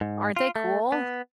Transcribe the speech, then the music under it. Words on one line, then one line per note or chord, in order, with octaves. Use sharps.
Aren't they cool?
G#2
F4
A3
B3